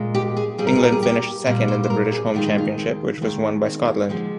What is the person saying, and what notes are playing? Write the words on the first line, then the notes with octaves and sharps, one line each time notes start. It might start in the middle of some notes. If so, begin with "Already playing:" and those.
England finished second in the British Home Championship, which was won by Scotland.
Already playing: A#2 G#3
G4
G#4
A#2 G3 G#4
A#4
G#4
A#4
G#4
G4
A#2 G3 A#4
C5
C5
A#4
G#4
D#2 D#3 G#3 F4
D#4
F4
C4
D#2 D#3 G#3 A#3
C4
A#3
D3 F3 G#3 C4